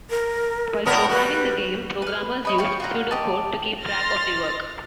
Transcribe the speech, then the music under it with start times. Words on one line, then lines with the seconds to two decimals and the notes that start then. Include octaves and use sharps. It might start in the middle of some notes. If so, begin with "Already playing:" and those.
While programming the game, programmers used pseudo-code to keep track of their work.
0.11 A#4
0.86 A2 B3 A#4 D5
1.09 G3 F#4 B4
2.02 B4 F6
2.45 C#5 D#5 B5
2.58 C#5 F5 G5
2.80 F4 F#5 A#5
3.11 G4 D#5 A5
3.83 C6 F6 A6 A#6